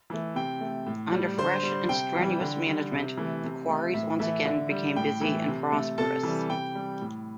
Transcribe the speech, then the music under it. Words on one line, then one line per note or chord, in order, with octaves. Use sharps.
Under fresh and strenuous management the quarries once again became busy and prosperous.
E3 A3
C3 G5
A3
A2
G3
D3 C5 C6
G3
C3 G5
E3 G3
D3
G3
C3
E3 A3
C3
A3
A2 E5
E3 A3 E5
D3 E5
G3
A2 G5
E3 A3
C3
A3
C3 A4 A5
E3 G3
C3 G5
G3
A2